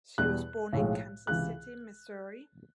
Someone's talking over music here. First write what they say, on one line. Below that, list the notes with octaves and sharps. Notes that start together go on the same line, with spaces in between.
She was born in Kansas City, Missouri.
E2 B2 G3 F#6
B1 A2 F3 G#3
C#2 C3 E3 F#6